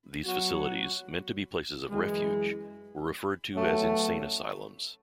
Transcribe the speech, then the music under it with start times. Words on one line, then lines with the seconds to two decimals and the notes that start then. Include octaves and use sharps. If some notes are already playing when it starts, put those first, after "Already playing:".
These facilities, meant to be places of refuge, were referred to as "insane asylums".
0.24 F#3 B3 F#4
1.89 F#2 E3 G#3
3.54 B2 F#3 A3 C#4 F#4